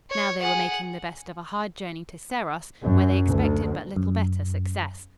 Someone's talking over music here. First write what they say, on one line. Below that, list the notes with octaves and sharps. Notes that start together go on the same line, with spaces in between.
Now they were making the best of a hard journey to Serros, where they expected but little better success.
C#5
G#4 F#5
F#2
D2
F#2